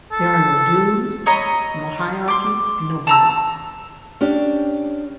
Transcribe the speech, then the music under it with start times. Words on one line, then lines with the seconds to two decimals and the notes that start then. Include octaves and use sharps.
There are no dues, no hierarchy and no bylaws.
0.12 A4
1.26 C#5 D#5 A#5 B5
2.28 C6 D6
3.07 A5 A#5 E6
4.21 C#4 D4 G4